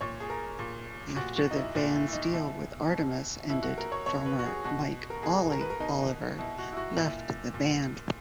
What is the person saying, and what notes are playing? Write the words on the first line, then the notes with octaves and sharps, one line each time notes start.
After the band's deal with Artemis ended, drummer Mike "Ollie" Oliver left the band.
A#2 C#5
G#4
A#4
A#2
A#2 F#4
F#4
D#4
E4
A#2
E4
E4
D#4
B2 E4
B2
B2 E4
F#4
A#4
C#5
B2 C#5
B4
F#4
G#4
B2 F#4
A#4
B2 G#4
A#4
B4
A#4
B2 D#4
B2 E4
F#4
E4
F#4
A#2 E4
A#2